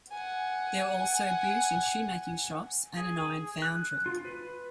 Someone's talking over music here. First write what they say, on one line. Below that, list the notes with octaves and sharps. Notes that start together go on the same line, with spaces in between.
There were also boot and shoemaking shops and an iron foundry.
F#5 G#5
G#4
F#6
F4
B4